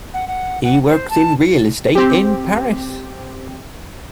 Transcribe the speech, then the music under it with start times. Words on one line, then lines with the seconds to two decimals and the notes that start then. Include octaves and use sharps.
He works in real estate in Paris.
0.14 F#5
0.28 F#5
0.63 F#5
0.87 C5
1.10 A5
1.95 C4 G4